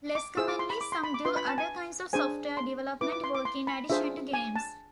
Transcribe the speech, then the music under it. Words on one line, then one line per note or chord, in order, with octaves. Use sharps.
Less commonly, some do other kinds of software-development work in addition to games.
D6
E4 G#4 C5 E6
D6
C6
B5
D6
C6
B5
D6
D4 F4 B4 C6
B5
A5
G#5
D4 G#4 C5 G#5
C6
E4 B4 D6
D6
C6
D6
C6
B5
D4 F4 G#4 C5 E5
G#5
A5